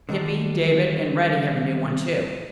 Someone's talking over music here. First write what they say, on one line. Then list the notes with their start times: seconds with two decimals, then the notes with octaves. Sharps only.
Hippy, David and Reddy have a new one, too.
0.09 D3 D#3 F#3 G3 D4